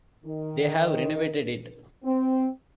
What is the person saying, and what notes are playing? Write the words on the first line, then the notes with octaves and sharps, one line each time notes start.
They have renovated it.
D#3
C4